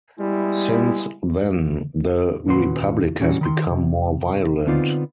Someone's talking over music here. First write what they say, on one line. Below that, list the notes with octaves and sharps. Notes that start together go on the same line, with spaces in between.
Since then the republic has become more violent.
G3 G#3 B3 E4
D#2 A#2 C#4 F#4 B4 C6
A#2 E3 G3 C#4 F#4
D#3 B5 C6
C3
D3 B3 C4 D#4 F4 D5